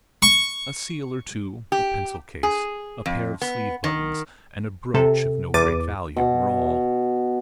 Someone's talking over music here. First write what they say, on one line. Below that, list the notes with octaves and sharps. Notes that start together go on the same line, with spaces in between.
A seal or two, a pencil-case, a pair of sleeve-buttons, and a brooch of no great value, were all.
C#6
G4
G#4
F2
B3
D#3
C3 A4
E2 D6 A6 D#7
B2